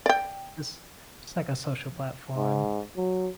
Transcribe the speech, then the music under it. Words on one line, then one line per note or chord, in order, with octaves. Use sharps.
just just, like a social platform,
D5 G5
G#2
F#3